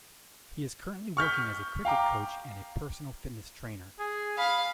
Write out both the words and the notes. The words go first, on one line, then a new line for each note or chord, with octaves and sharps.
He is currently working as a cricket coach and a personal fitness trainer.
C#6 F6 G6 B6
F5 G5 A#5 D6
G#4
F5 B5